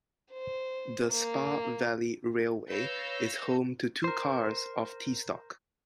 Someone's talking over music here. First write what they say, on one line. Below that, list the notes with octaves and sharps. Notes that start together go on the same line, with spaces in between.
The Spa Valley Railway is home to two cars of T-Stock.
C5
A#3
B4 C#5 F5 E6 G6 A#6
A#4 C5